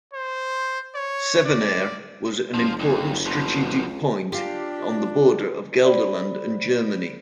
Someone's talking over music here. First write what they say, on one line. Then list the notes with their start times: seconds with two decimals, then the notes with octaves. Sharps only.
Sevenaer was an important strategic point on the border of Gelderland and Germany.
0.14 C5
0.95 C#5
1.45 D5
2.54 F#1 F3 F4
2.80 D#2
3.26 B2 F3
3.86 C#2
4.32 D4 F4 G4 F5
5.83 C5 D5 B5